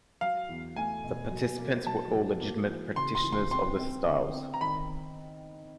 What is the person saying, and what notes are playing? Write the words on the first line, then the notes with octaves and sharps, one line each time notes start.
The participants were all legitimate practitioners of their styles.
F#3 F5
E2
A3 G#5
B2
F#3
A#3
F#3 A5
F#3
A#3
E3
C#3 C6
C6
E3
C6
C4 C6
C4
D3
C4
A#5
D#3 B5